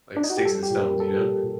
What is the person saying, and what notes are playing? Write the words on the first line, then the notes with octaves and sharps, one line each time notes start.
like, sticks, and stones, you know?
D4
D#4
F#4
G4
G3 A4
G4
A#2
A#4
G3
A4
A#2
A#2